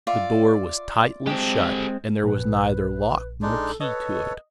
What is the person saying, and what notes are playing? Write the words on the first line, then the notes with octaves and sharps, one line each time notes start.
The door was tightly shut, and there was neither lock nor key to it.
F4 D5 E5
G#3 C4 G4 A4
A#1 B4
G#3 D4 D#4 A4
A4 B4 C#5 D#5